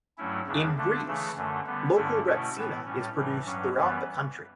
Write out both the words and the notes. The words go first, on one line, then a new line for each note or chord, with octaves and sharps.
In Greece, local Retsina is produced throughout the country.
G2 F#3 A3 C#4 E4
E2 C#3 G3 D4
D3 A3 D4
C#3 E3 A3
F#2 D3 A3
D3 G3 B3
G2 D3 A3 C#4 E4
B2 A3 C#4 E4
A2 E3 B3
A2 G3 C#4
A2 E3 G3
G2 F#3 C#4
F#2 E3 G3 B3